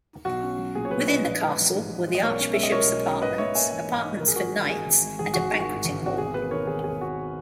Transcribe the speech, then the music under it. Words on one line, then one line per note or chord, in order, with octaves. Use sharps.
Within the castle were the Archbishop's apartments, apartments for knights and a banqueting hall.
B1 F#4
C#4
F#3
A#2 G#4
C#5
B1 G#4 B4
C#4 B4 D#5
A#1 B4 D#5
G#3
E3
G#2
A#1
G#3
D#5
B1 A#4 C#5
C#4
G#3 E5
D#5
B2 A#4 C#5
B1
C#4
G#2 B4 D#5
D#4 C#5 E5
A#3 E5 G#5
E3 E5 G#5
G#2
D#4
G#1 A#4
G#4
G#3 F#4 A#4
E3
G#2 G#4
G#1
G#3
G#1 G#4
G#1 F#4
D#3
F#4
G#2
G#1
G#1 F#4
E1 G#4
A#3 G#4 B4
D#3 A#4 C#5
D#2 G#4
E1 G#4
A#3 F#4